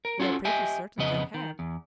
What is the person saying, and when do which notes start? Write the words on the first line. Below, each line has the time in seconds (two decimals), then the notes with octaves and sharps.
"We are pretty certain they have."
0.05 A#4
0.20 C#4 F4 F#4 A4
0.45 G4 D#5 E5 G#5
0.98 F2 C#3 B3 D#5
1.34 D#3
1.59 E2